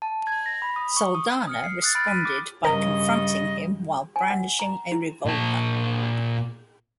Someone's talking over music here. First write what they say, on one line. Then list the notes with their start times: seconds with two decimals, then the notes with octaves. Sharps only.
Saldanha responded by confronting him while brandishing a revolver.
0.02 A5
0.27 G#6
0.46 A#6
0.62 B5
0.76 D#6
0.97 C#6
1.15 D#6
1.47 D#6 F6 C#7
1.64 C7
1.82 D#6 F#6 A6
1.95 B5 F6 A6 D7
2.08 A6 B6 D7 D#7
2.25 D6
2.65 G2 C#3 A#4 D#5
4.16 G#5
4.30 F#5
4.59 A#5
4.92 E4
5.25 A#2 A5